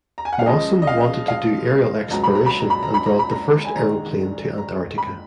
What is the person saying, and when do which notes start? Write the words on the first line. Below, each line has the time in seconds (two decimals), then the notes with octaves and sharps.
Mawson wanted to do aerial exploration and brought the first aeroplane to Antarctica.
0.18 A#5
0.25 G#5
0.33 F#5
0.39 F5
0.46 C#2 C#3 F3 G#3 D#5
0.82 D#5
0.87 F5
1.28 F5
2.11 C#2 B2 F#3 A#5
2.24 B5
2.35 A#5
2.46 B5
2.59 A#5
2.70 B5
2.83 A#5
2.94 B5
3.06 A#5
3.19 B5
3.31 A#5
3.65 G#5
3.75 A#1 G#2 D#3 G#3 A#5
4.58 A#5
4.98 B5